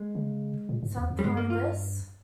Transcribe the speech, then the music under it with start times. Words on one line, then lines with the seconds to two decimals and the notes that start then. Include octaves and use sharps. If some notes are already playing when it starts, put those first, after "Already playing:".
Something like this?
Already playing: G#3
0.15 C#3
0.69 A#2
0.83 G#2
0.96 E2
1.10 F2
1.19 G3
1.24 G2 G#3
1.37 A#3
1.50 F4